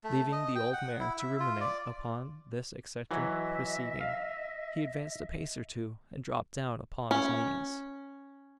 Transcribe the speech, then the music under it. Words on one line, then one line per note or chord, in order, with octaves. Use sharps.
Leaving the old mare to ruminate upon this eccentric proceeding, he advanced a pace or two, and dropped down upon his knees.
A3
D#5
G5
F#5
E4
E5
F4
D5
E3 F#3 D#5 E5
F5
C#4